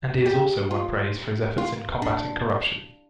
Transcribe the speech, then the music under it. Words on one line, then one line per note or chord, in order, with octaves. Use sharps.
And he has also won praise for his efforts in combatting corruption.
G4
F4
F4
D4